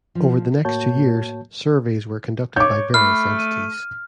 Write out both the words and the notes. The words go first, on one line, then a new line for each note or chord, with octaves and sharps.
Over the next two years, surveys were conducted by various entities.
F3
A2 A#3 F#4 C#5 A5 G6
C#5 D6 G6
A3 B5 F6 C7
D#7